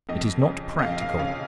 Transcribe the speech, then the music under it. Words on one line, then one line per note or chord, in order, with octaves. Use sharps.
It is not practical.
F2 D#5
C#3
D#5
F2 F5
F5
C#3 F5